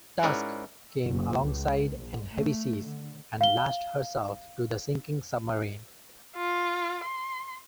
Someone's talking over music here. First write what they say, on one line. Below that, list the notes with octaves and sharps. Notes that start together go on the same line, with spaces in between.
"Tusk" came alongside in heavy seas and lashed herself to the sinking submarine.
G#2 C#4 E4 A#4 D5 F#5
F#1
C#2
A#1
A3
D3
F5 G7
F4
C6